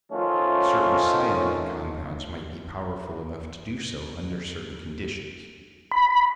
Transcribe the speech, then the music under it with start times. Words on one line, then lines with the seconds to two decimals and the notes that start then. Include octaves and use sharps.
Certain cyanide compounds might be powerful enough to do so under certain conditions.
0.12 D#3 F3 A3 C#4 D#4 F4
5.91 B5